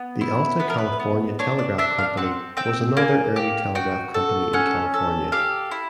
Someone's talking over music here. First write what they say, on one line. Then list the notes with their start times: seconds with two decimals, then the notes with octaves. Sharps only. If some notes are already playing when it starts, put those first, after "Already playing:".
The Alta California Telegraph Company was another early telegraph company in California.
Already playing: B3
0.21 E4
0.60 B3 B4
0.70 A#4
0.78 B4
1.00 B3
1.39 D4 C#5
1.59 D5
1.78 D4 E5
1.99 F5
2.17 C4 F#5
2.57 C4 G5
2.97 A#3 G#5
3.36 G4
3.75 F#4 G5
4.14 A4
4.53 C#4 F#5
4.94 A4
5.32 G4 F5
5.71 E4